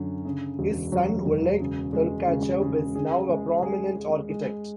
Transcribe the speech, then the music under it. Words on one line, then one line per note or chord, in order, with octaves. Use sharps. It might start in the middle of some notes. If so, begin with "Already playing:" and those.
His son Oleg Tolkachev is now a prominent architect.
Already playing: F#2 D3 F#3
C#3
E1
F#3
E1
C#3
G#3
C#3
C#3
G#4
G#3
G#4
G#4
G#3